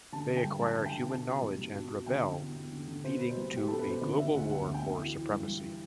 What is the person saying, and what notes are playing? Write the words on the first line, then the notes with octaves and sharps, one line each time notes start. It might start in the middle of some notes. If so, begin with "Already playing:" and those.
They acquire human knowledge and rebel, leading to a global war for supremacy.
D3 A5
D3
G5
G2
G2 A5
D3
G5
D3
B2 A5
B2
C2
C2
B2
B2
D3 G5
D3
E2
E2
D3
D3
B2 C5
B2 B4
C5
C2
C2 G4
B2 A4
B4
B2 C5
D3 D5
D3 E5
D2 F#5
D2 F#5
D3
G5
D3
E3
E3
G2
G2
E3